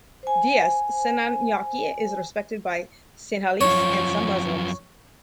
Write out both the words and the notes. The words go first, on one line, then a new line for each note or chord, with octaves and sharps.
D. S. Senanayake is respected by Sinhalese and some Muslims.
C5 G#5
F#2 F3 C#5